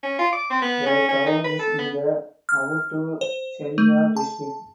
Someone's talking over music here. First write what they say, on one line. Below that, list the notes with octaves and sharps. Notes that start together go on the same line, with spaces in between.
The town is in the Awutu Senya district.
C#4
F4
D6
C4
B3
C#4
C#4
D#4
B4
A4
B3
F6
C5
A3
A5